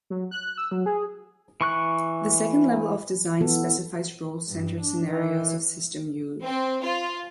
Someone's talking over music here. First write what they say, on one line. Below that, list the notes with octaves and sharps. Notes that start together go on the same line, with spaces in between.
The second level of design specifies role-centered scenarios of system use.
F#3
F#6
E6
F#3
G#4
E3 C#6 F#6
E3 B3 A4
G2
D4
E3
C4
F4